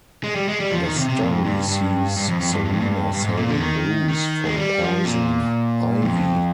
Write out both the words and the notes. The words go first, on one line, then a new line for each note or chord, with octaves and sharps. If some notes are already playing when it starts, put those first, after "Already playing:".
The story sees Selina saving Bruce from Poison Ivy.
G#3
G3
G#3
G3
F3
D#3
C3
C3
F2
G2
G2
G2
F2
F2
G2
G2
F2
G2
G2
G#2
A#2
D3
D#3
D#3
G#3
G3
F3
A#2
F2